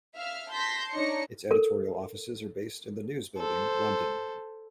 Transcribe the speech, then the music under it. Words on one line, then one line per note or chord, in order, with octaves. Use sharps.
Its editorial offices are based in The News Building, London.
E5 F5 F6
A5 C6 G6 A#6 B6
D4 D#4 C#5 A#6 C#7
A4 A#4
A4 C5